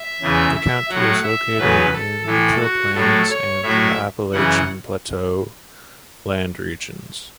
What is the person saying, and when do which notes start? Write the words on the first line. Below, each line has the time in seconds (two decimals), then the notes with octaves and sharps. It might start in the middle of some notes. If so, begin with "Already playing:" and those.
The county is located in the Till Plains and the Appalachian Plateau land regions.
Already playing: E5
0.21 E2 C#3 E3
0.56 E5
0.90 A2 F#3 F#5
1.23 E5
1.58 E2 C#3 F#3 B4
1.93 A4
2.26 A2 E3 A4
2.61 F#4
2.94 A2 F#3 A4
3.30 C#5
3.63 A2 F#3 E5
4.32 F#2 C#3 E3 F#5